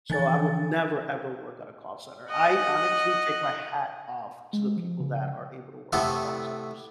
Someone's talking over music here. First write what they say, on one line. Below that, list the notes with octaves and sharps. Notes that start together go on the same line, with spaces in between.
So, I would never ever work at a call center, I honestly take my hat off to the people that are able to work in call centers.
E3 F3 G#5 A6
D#5 F#5
G#3
F3
C#3
A2 C3 A3 B3 E4 A4